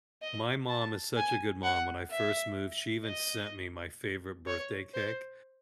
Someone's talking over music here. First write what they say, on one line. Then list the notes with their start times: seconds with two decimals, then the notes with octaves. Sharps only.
my mom is such a good mom. When I first moved, she even sent me my favorite birthday cake
0.22 D#5
0.69 A5
1.16 G#5
1.63 F#5
2.10 E5
3.05 D#5
4.47 C#5
4.94 C5